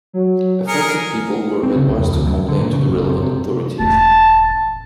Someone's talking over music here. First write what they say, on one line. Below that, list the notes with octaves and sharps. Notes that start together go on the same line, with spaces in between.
Affected people were advised to complain to the relevant authorities.
F#3
G#4 A#4 C#7
C4
C#3
C2
F2
D2
F#2
D3
A#2
C#3
F#1
C3
C3
E1 A1 A5